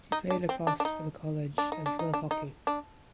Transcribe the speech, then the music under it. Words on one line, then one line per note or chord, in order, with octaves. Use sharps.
She played lacrosse for the college as well as hockey.
D#4
D4
C4
D4
D4
D#4
D4
D#4
D4
D#4
D4
D#4
D4